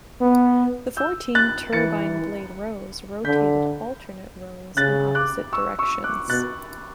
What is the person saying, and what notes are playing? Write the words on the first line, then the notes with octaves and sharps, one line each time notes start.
The fourteen turbine blade rows rotated alternate rows in opposite directions.
B3
E6 G6
F#6 A6
E3 A6 C#7
D3 G6 B6
C#3 F#6 A6
D6 F#6
C#6 E6
C#6 E6
D6 F#6
B2 F#6 A6